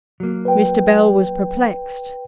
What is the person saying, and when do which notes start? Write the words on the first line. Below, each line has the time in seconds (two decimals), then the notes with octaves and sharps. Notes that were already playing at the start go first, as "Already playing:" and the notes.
Mr. Bell was perplexed.
0.20 F#3 A#3
0.45 B4 G5